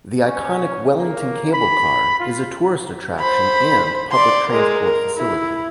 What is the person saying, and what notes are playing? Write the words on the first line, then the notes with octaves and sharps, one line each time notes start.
The iconic Wellington Cable Car is a tourist attraction and public transport facility.
C#4
A#3
B5
F4
C5 B5
D5 C6
G#3 A#4
A#4
E4